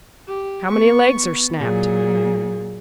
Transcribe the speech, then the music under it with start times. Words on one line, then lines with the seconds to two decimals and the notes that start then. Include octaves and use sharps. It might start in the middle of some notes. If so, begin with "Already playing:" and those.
"How many legs are snapped?"
0.27 G4
0.69 B3 C#6
1.59 A#2 F#3 G#4